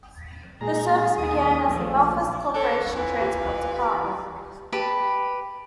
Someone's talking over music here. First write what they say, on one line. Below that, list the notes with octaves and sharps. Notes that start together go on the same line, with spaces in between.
The service began as the Belfast Corporation Transport Department.
A#2 G#3 G#4 A#5
D#2 D#6
A#1 F3 A3
D4 A4 C#5
E3 F4 B4
G4
G4 B4 A5